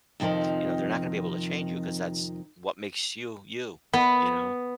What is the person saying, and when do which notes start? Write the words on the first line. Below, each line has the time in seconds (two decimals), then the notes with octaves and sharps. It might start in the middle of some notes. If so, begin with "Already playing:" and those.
you know, they're not gonna be able to change you 'cause that's what makes you, you. You know?
0.20 F2 C3 D#3 F3 D#4
3.93 B3